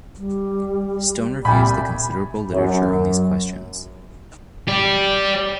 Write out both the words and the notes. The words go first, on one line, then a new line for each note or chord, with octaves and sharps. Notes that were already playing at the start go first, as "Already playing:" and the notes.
Stone reviews the considerable literature on these questions.
G3
C2 A#2 G3 G#5 B5
F#2
G4 D5